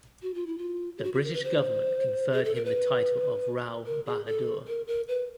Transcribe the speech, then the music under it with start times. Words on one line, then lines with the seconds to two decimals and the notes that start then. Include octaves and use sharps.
The British government conferred him the title of Rao Bahadur.
0.22 F#4
0.34 F4
0.47 E4
0.58 F4
0.98 G4
1.03 F#4
1.14 F#4
1.24 A#4
1.34 B4
1.44 C5
2.33 G#4
2.44 A4
2.55 A#4
2.65 B4
3.86 A#4
4.06 G#4
4.26 A4
4.68 A#4
4.87 A#4
5.08 B4